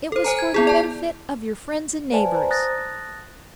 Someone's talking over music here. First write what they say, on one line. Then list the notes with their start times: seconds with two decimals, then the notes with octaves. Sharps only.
It was for the benefit of your friends and neighbors.
0.12 A4 C5
0.25 C5 G#5 A#5
0.39 G#6
0.54 B3 E4 G#4
0.67 D5 A5
2.12 B4 C5 D5 F5 G#5 A5
2.35 C5 A#5
2.50 A5 D#6 F#6 A6 A#6